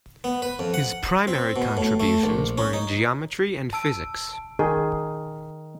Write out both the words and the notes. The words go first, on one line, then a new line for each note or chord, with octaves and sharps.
His primary contributions were in geometry and physics.
B3
B4
F2
F#5
C4
B2
A2
A3
A#1
C#4
D#4
A5 E6 D7
D#3 G#4